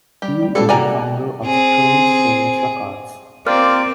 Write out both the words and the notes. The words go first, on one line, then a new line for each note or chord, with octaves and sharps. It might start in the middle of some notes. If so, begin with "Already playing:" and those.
He is a founder of Strange Famous Records.
G3 G4
G3
E3 G3 G#3 C#4 G4 A4 F5 A5
C3 A#3 F#4 G#4 D5 G5 G#5 A#5
C4 G#4
A#3 C4 F4 G4 A#4 D5 F6